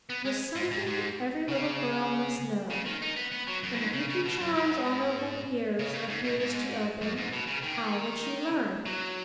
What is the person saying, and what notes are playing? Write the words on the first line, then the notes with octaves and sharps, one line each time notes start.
It was something every little girl must know, and if Yuki Chan's honorable ears refused to open, how would she learn?
B3
G#3
G#2
G#2
G#2
C#3
C#3
D#3
D#4
B3
B3
F#3
F#2
B2
G#2
C#3
C#3
B2
F#2
G#2
C#3
C#3
G#2
B2
G#2
F#2
G#2
B2
C#3
D#3
F#3